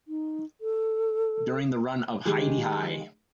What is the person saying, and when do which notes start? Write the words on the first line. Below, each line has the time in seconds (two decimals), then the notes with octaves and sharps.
During the run of Hi-de-Hi!
0.08 D#4
0.61 A4
2.25 D#3 G#3 G4 G#4